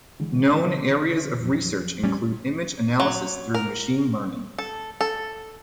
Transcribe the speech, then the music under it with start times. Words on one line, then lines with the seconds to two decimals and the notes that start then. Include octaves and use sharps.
Known areas of research include image analysis through machine learning.
0.20 D3 E3 G#3
0.65 B2 D3 E3
1.40 F2 F3 F#3
2.04 G3 C#4
3.00 F#3
3.54 A#4
4.59 A4
5.01 A4